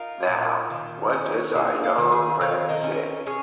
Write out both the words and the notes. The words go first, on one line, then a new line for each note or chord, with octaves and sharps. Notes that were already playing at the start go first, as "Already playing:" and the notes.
Now, what does our young friend say?
Already playing: D#4 F4 A#4
A#2
D#3
C#4
A#3 G#4
F4
D#3
G#4
D#3 C#5 F5
A#4 D#5
C#4
C#4 G#4 C#5